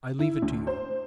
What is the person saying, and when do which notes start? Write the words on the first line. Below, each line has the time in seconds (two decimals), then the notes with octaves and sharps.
I leave it to you.
0.19 E4
0.42 D2
0.67 C5